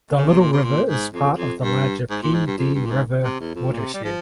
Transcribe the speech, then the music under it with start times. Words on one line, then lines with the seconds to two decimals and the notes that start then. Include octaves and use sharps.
The Little River is part of the larger Pee Dee River watershed.
0.17 C#3
0.28 C3
0.40 A#2
0.53 C3
0.64 A#2
0.89 G#2
1.14 F2
1.38 F2
1.62 G2
2.10 G#2
2.23 A#2
2.34 G#2
2.46 G2
2.58 F2
2.75 G2
2.86 A#2
2.91 G#2
3.24 C3
3.40 E2
3.55 F2
3.73 A#2
3.80 C3
3.94 G3
4.04 F3